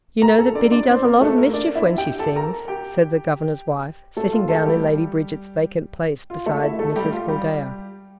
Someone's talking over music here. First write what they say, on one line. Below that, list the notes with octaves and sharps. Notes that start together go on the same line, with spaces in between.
'YOU know that Biddy does a lot of mischief when she sings,' said the Governor's wife, sitting down in Lady Bridget's vacant place beside Mrs Gildea.
A#4 A#5
A4 A5
D4 D5
D4 D5
C4 C5
A#3 A#4
A3 A4
A#3 A#4
D4 D5
E4 E5
G4 G5
A4 A5
A#4 A#5
G4 G5
A3 A4
F4
A3 A4
G3 G4
F4
A3 A4
E4 E5
A3 A4
G3 G4
F4
G3 G4